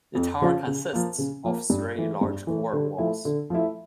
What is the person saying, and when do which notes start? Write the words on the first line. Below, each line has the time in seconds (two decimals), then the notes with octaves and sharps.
The tower consists of three large core walls.
0.15 F2
0.41 C#3 F3 C#4 F4
0.67 C#3
0.93 F3 A#3
1.18 C#3
1.44 F3 A#3
1.70 G2
1.95 E3 A3
2.21 G2
2.47 E3 A3
2.73 D3
2.98 F3 A3 E4
3.25 D3
3.50 F3 A3 E4